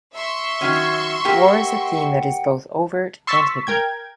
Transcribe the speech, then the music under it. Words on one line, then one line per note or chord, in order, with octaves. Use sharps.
War is a theme that is both overt and hidden.
E5 C6 C#6
D#3 F#3 C#4
A#3 G4 F#5 G5
C6 C#6 E6 A6 B6
A#4 G5 G#6